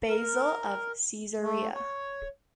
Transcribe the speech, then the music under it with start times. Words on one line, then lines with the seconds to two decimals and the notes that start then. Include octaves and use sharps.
Basil of Caesarea.
0.09 A#4
1.41 A3
1.74 C#5